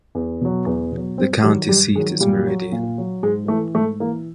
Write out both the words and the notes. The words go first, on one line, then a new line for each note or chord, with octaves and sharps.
The county seat is Meridian.
E2
B2 F#3
E2
B2 F#3
G2 C4
D#3 F#3 G3
G2 G3
D#3 F#3 G#3
A#2 G3
F#3
A#2
F#3
G#2 G#3
E3 A3
G#2 A3
E3 A#3